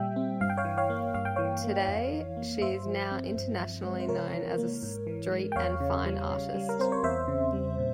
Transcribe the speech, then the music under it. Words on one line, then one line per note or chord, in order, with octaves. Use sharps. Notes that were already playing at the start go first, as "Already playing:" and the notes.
Today, she is now internationally known as a street and fine artist.
Already playing: A#2 G3 E5 G5
C4
G2 F5
G5
C#5 F5
E3
C#5 F5
A#3
G2 F5
G5
E3 C#5 F5
A#3
F2
E3
A#3
G2 C5 E5
F3
C4
G2
F3
G#3
C5
C3 A#4 C#5
E3
A#3
G#2
E3
G#3
G5
E2 C#5 F5
C#3
G3
C#3
G3
A#4
C4 C5
C#5
E2 C5 E5
C#3
G3
A#2